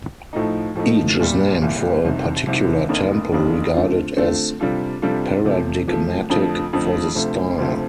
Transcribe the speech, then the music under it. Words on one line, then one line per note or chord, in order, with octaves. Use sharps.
Each is named for a particular temple regarded as paradigmatic for the style.
A2 F3 A3 D#4
A2 F3 A3 D#4
C2 A#2 G3
C2 A#2 G3
C2 C3 D#3
C2 C3 D#3
F1 F2 D#3 A#3 D4
F1 F2 D#3 A#3 D4
D3 A3 C4 F4
D3 A3 C4 F4
C3 G3 D4 F4 A4
C3 G3 D4 F4 A4
C3 F3 A3
C3 F3 A3
F2 D3 F3 A3
F2 D3 F3 A3
D2 C3 F3 A3
D2 C3 F3 A3